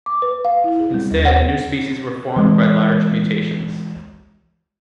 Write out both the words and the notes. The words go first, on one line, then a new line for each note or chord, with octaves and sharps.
Instead, new species were formed by large mutations.
D6
B4
F5
E4
G#4
G3
D#2
F#5
E3 G#3